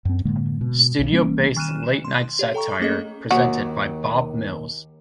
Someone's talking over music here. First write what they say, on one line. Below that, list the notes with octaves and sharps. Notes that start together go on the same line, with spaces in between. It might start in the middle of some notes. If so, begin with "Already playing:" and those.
Studio-based late-night satire presented by Bob Mills.
F#2 C4
A2 D3 G#3 A#3
B2
B1 B2 D3
E3 G3 A#3 C#4
D#3 F6 F#6 D#7 E7
E7
C6
G4 C#5 F5
A4 G5 A#5 C#6
A3 A#3 C#4 G#4 A4 D#5
D#2 F#4